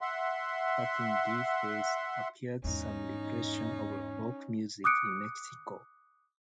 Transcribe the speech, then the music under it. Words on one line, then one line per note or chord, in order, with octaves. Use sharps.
But in these days appeared some repression of rock music in Mexico.
E5 F#5 C6
E2 G#2 C#4 D#4
D6 D#6 F#6 C#7 D7